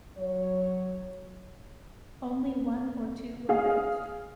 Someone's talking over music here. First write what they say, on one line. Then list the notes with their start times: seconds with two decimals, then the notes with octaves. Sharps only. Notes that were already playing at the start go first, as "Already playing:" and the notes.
Only one or two were built.
0.18 F#3 C#5
3.49 G#4 F5